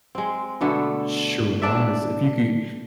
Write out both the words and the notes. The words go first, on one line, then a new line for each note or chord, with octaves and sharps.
Sure was. If you could
G#3 C4
B2 D3 A3 B3
D4 D5 E5